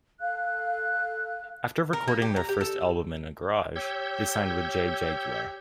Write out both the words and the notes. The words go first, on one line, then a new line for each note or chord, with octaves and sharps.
After recording their first album in a garage, they signed with Jagjaguwar.
A4 F5 F#6
A#4
A#3
G4
A#5
G4
A4
G4 C#5 E6 G6